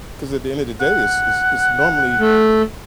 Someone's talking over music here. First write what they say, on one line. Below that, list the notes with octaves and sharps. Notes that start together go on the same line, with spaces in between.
'Cause at the end of the day, it's it's it's normally
F#5
A3